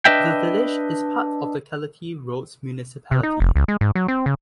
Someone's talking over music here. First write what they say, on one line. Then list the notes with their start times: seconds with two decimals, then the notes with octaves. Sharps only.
The village is part of the Kallitea-Rhodes Municipality.
0.05 D4 B4 D#5 E5 G5
3.11 C3
3.23 D#4
3.40 F1
3.56 C#2
3.68 G#3
3.81 G#2
3.95 F#3
4.08 C4
4.26 C#3